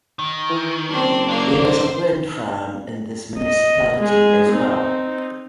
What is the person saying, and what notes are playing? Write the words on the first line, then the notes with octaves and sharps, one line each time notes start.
There is a wind farm in this municipality as well.
D#3
E3
F#1 C4 D4
F#2 A#3 D4
C5
D#5
G#3 G#4
C4 D#4